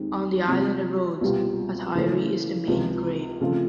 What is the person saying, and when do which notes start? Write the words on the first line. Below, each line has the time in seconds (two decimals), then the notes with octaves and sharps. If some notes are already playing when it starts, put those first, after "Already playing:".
On the island of Rhodes, Athiri is the main grape.
Already playing: D#2 D#3 G#3 C4
0.47 C3 F3 G#3 C4
1.21 C2 B2 G3 C4 F4
1.95 C#3 E3 A3 C#4
2.67 C#2 C3 F3
3.41 C#3 F3 A3 C4 F4